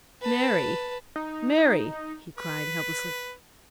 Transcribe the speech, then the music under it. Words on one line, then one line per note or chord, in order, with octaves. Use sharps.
"Mary, Mary!" he cried, helplessly.
B4 A5
D#4
B4